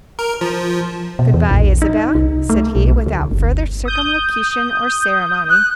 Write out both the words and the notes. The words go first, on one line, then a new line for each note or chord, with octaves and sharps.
"Good-bye, Isabel," said he, without further circumlocution or ceremony.
A#4
F3
B2
E2
A#1
D#4
C2
A3
B1
D2
G1
D#6 G6
F#6